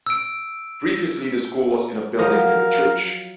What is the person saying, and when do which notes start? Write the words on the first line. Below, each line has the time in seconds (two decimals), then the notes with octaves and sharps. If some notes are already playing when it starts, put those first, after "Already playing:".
Previously, the school was in a building near the church.
0.06 E6 D7
2.19 F3 F#3 A#4 D#5 F5